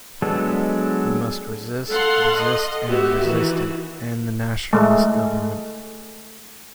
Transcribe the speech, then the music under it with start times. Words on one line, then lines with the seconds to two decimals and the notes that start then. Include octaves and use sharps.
We must resist, resist, and resist it - and the Nationalist Government.
0.22 F#3 G#3 B3 D4 A4
1.90 A4 F5 F#5 C6
2.39 D#5
2.88 B3 F#4 G4 E5
3.24 D#3 E3 F#4
4.73 G#3 A3